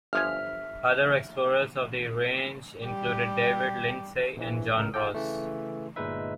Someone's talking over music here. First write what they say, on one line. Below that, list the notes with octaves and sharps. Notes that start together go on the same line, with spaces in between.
Other explorers of the range included David Lindsay and John Ross.
G1 F3 E5 G#5 F6
G3 G4
A#1 E3
C#2 A2 A#4
F4 A4 G5
C#3 E3 A3
G1 A#2 G#3 D#4 B4 E5